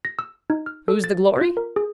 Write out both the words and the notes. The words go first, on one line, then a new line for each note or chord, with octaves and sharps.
Whose the glory?
A#6
E6
D#4
F6
A4
A6
F4
A#4
G#4